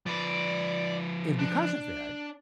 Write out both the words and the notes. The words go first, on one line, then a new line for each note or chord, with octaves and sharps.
and, because of that,
F3 B4 D5
D4